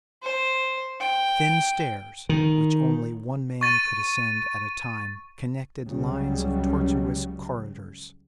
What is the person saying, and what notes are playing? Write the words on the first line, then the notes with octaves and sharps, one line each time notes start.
Thin stairs, which only one man could ascend at a time, connected lines of tortuous corridors.
C5
G5
D#3
C#6 A6 D#7
C#2 C#3 F#3 G3